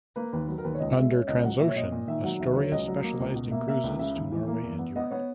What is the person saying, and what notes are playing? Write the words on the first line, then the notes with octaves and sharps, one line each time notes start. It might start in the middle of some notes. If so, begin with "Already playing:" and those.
Under Transocean "Astoria" specialized in cruises to Norway and Europe.
A#3 B4
D#2 B4
F#3 B4
A#4
D#2 B4
C#5
C#2 D#5
G#3 E5
C#4
C#2 D#5
F#3 F#5
A#2 E5
C#5
A#2 D#5
A#2
D#3 E5
F#3 F#5
D#2 E5
B4
F#3 C#5
C#2 D#5
F#3
A#3
C#2
B2
A#3 E5
A#3 E5
C#2
C#3 E5
D#2
E3
A#3
E2
B3
B3 D#5
B3 C#5